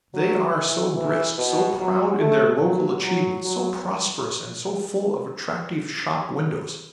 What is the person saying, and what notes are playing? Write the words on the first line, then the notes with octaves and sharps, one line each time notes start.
They are so brisk, so proud in their local achievements, so prosperous and so full of attractive shop-windows.
F#3
E3
E3
B2
F#3
A3
F#3
F#3
F#3